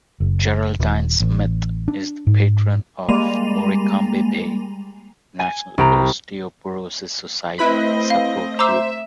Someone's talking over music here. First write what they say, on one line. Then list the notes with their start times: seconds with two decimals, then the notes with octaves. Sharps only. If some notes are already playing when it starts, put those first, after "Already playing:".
Geraldine Smith is the Patron of the Morecambe Bay National Osteoporosis Society Support Group.
0.20 F#1
0.80 D#1
1.20 A1
1.88 D4
2.27 G#2
3.09 G3 G#3 A#3 D#7 F7
5.39 G#5
5.78 C2 G5 A#5
7.58 A3 C4 E4 B4 D#5 B5
8.10 F5
8.59 C5 E5 A#5 D6 E6